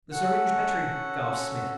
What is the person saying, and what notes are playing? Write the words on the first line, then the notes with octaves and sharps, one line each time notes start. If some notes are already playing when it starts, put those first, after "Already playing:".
"The syringe, Petrie!" gasped Smith.
C#4 F#4 A4 F#5